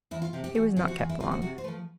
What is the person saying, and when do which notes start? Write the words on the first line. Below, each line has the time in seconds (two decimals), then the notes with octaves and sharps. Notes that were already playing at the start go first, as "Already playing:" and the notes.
He was not kept long.
0.11 E2 E4
0.22 F4
0.33 C3 F3 G4
0.44 G4
0.55 E2 F#4
0.76 C3 F3 F4
0.88 F#4
0.98 E2 F4
1.09 E4
1.20 C3 F3 F4
1.31 F#4
1.42 C3 F#4
1.58 C5
1.64 A3 B4
1.68 F3